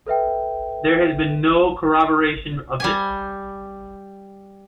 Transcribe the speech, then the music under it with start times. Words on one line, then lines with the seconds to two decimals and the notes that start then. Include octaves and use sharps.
There has been no corroboration of this.
0.07 A4 B4 E5 G5
2.80 G3 G4 G#5